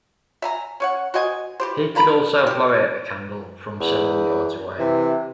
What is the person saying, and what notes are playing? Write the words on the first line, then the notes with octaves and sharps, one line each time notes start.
He could also blow out a candle from several yards away.
E5 G#5 A#5
C#4 C#5 F#5
F#4 C5 D#5 G#5
E3 G4 C5
G#3 B4 A#5 B5
C4 G4
E2
C3 E3